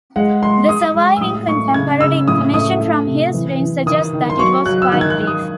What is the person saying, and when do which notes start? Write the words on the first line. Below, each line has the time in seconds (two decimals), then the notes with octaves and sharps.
The surviving contemporary information from his reign suggests that it was quite brief.
0.16 G#3 F#5
0.42 G#3 C6
0.69 G#3 D#6
0.95 G#3
1.17 E6
1.21 A2 D#6
1.47 A3 C#6
1.74 C#3 G#6
2.01 C#3 E6
2.28 A2 D#6
2.53 A3 D#6
2.81 A3
3.06 C3
3.34 E3
3.60 E3
3.86 D#3 D#6
4.13 D#3
4.30 C6
4.39 F#3 C#6
4.66 F#3 F#6
4.82 E6
4.92 D#3 F#6
5.01 G#6
5.10 F#6
5.19 D#3
5.27 D#6